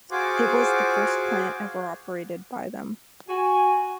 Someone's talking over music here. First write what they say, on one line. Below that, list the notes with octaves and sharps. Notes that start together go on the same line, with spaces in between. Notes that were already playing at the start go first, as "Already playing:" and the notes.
It was the first plant ever operated by them.
F4 F#4 G#4 C5 D6
F#4 G#5